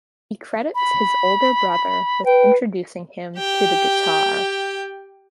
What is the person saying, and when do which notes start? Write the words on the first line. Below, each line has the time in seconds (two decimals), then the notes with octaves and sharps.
He credits his older brother with introducing him to the guitar.
0.75 B5
2.25 B4 G5
3.37 G4 G5